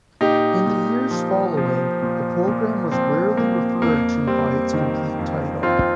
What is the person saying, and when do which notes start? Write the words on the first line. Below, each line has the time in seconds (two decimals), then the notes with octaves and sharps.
In the years following, the program was rarely referred to by its complete title.
0.21 A#2 D#4 G4
0.66 A#2
1.11 F3
1.57 F3
2.02 A#2
2.48 A#2
2.92 F3 C4
3.37 F3 A#3
3.82 F2 A#3
4.27 G3 C4
4.74 D#3
5.19 F2
5.63 F2 C4 F4